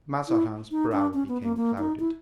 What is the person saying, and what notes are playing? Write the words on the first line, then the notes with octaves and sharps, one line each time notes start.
Mazarin's brow became clouded.
E4
D#4
D4
C#4
B3
A#3
A#3
D#4
E4